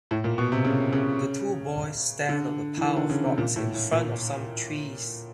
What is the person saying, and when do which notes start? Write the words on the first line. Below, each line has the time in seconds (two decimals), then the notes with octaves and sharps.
The two boys stand on a pile of rocks in front of some trees.
0.11 A2
0.24 A#2
0.38 B2
0.52 C3
0.65 C#3
0.93 C#3
2.29 D3
2.77 E3
2.83 D#3
2.96 D3
3.10 C#3
3.24 C3
3.38 A#2
3.56 A2
3.74 A2
3.92 A#2